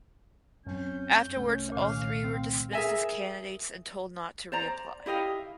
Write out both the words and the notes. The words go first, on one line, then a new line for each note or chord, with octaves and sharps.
Afterwards all three were dismissed as candidates and told not to reapply.
F#2 F#3 C4 C#4 G6
C2 A3 C#4
A#2 D#3 F5
C4
G#4 A#4 E5 G#5
C5 D5 A#5
E4 G4 D#5 F5